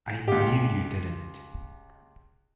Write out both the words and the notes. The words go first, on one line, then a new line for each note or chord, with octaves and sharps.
I knew you didn’t.
C#2 G4